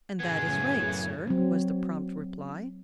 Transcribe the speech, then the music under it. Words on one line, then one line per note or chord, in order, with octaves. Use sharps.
"And that is right, sir," was the prompt reply.
F#2 A2 C#3 B3 G#4 G#5
F#3 C4